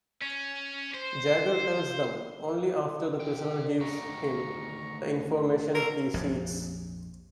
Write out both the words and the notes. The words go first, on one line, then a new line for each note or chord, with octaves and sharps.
Jagger tells them, only after the prisoner gives him the information he seeks.
C#4
C5
C3 G5
D2 D#3 A#5 C#6
C#4 A4 A#4 A#5
A#1 F2 G#2